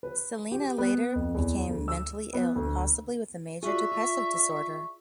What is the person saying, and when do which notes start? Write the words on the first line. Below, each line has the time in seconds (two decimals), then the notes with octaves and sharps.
Celina later became mentally ill, possibly with a major depressive disorder.
0.03 B4
0.52 G4
0.78 B3
1.15 F2
1.34 E2
1.69 D2
1.88 E6
2.33 B3
2.56 D2
3.63 F4 F#4 G#4 D5 E5 C#6
3.92 F4